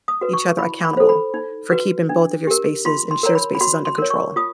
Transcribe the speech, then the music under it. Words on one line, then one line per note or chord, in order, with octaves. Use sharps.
each other accountable for keeping both of your spaces and shared spaces under control.
D#6
F#4 B4
C#6
E4 B5
B5
A4 C5
B5
D#4
F#4 B4
D4
G4 A#4
F4 C6
C6
A#4 C#5 A#5
B5
B5
F#4 C6
C6
A#4 C#5
C#6
F4 D#6